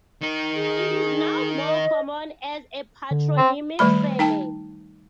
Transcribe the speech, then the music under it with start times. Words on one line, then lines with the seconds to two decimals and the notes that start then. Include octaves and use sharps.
It is now more common as a patronymic surname.
0.21 D#3 D#4
0.55 G#4
1.68 D#5
3.11 D3
3.37 C4
3.79 D#3 G3 A3 B5
4.19 D#4 G5 A5